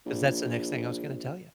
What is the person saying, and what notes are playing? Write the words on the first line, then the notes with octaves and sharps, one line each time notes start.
'cause that's the next thing I was gonna tell ya.
A#1